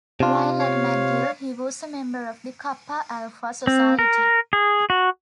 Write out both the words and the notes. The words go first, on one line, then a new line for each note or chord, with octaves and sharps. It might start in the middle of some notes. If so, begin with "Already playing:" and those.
While at McGill he was a member of The Kappa Alpha Society.
C3 D4 F4
C#5 F5
C4
A#4
G#4
F#4